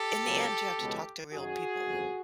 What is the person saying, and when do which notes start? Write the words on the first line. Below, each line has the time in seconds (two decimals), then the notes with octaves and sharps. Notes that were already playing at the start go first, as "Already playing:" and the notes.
in the end, you have to talk to real people.
Already playing: G4 A4
0.25 C#2 C#3 F#3 B3
0.79 C#2 B2 G#3
1.33 F#2 D#3 F#3 F#4 G#4
1.86 G1 F2 C#3 F3